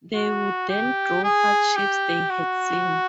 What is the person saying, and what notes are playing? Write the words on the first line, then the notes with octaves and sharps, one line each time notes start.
They would then draw what shapes they had seen.
F#4
G4
G#4
G4
F#4